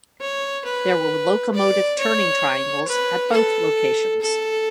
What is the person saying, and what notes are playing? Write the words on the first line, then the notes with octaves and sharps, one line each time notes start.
There were locomotive turning triangles at both locations.
C#5
B4
D5
C#5
B4
A4
A4